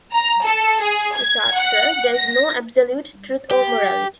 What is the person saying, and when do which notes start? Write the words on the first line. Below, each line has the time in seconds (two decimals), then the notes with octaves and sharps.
To Sartre, there is no absolute truth or morality.
0.13 A#5
0.43 A4
0.81 G#4
1.14 G#6
1.55 F#5
2.15 A#6
3.51 G4